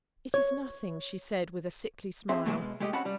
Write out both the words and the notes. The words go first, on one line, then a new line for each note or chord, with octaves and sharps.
'It is nothing,' she said, with a sickly smile.
C#5
C4 G#4 E5 C6
A#2 D#3 F#3 G#3 A3
B2 G#3
G#3 A3 G4 D#5
C4 C#4 F#4 F#5 A5 B5
G3